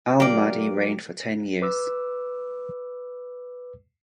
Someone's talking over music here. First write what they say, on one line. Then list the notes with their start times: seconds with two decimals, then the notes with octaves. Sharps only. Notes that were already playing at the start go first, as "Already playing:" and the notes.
Al-Mahdi reigned for ten years.
0.20 F#3 A#3 G4 D5
1.62 B4 D6 E6